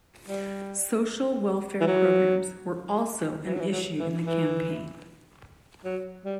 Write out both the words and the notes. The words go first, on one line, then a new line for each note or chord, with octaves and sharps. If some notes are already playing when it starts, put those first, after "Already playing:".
Social welfare programs were also an issue in the campaign.
G3
E3
F#3
E3
F#3
E3
F#3
E3
E3
F#3
G3